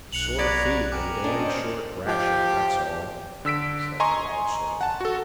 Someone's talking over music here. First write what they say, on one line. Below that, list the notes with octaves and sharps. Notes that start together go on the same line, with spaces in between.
"Sore feet an' damned short rations, that's all," said the loud soldier.
B1 F#6 C#7 F7 F#7
B3 C#5 D5 A#5 B5
A#4 G5 G#5 D6
C#4 D4 C5 D#5
F3 G4
D3 E6 B6 D7
D#5 G#5 A#5 C6 C#6
F#5 A5
F#4 A4